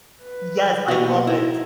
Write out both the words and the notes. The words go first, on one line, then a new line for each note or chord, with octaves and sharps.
Yes, I love it.
B4
B2 A#3 F#4 G4 D#5
D#4 E4